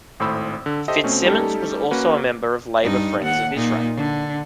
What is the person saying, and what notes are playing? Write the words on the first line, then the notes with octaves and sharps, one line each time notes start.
Fitzsimons was also a member of Labour Friends of Israel.
G#1 A2 C5 B5 E6
D3
G4 A4 C5 D#5 E5
B2 A3 C4 C#4
G3 A3 C#4 D#4 G4 A4
A#3 C#4 F#4 B4
G2 D#4
D#2 F#5
A#2 D#4
D3